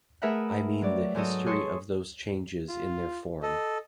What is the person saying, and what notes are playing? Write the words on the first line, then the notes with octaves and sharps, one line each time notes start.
I mean the history of those changes in their form.
A3 G#4 A#4 B4 E5 F#5
F#3 D5
G#2 F#3 A4 D#5
G#4 A4 C#5 C6 C#6
F4
A4 D#5